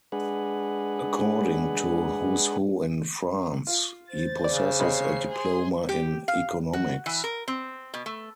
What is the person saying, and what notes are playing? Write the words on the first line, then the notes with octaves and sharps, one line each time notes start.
According to "Who's Who in France" he possesses a diploma in economics.
G#3 D4 G#4 B4 F#5
F4
C5 A6
C#3 D5
C3 C#5 D#5 B5 C7
G#4 C6
G4
F5
F#4
E3
A#4
C4
B2
A3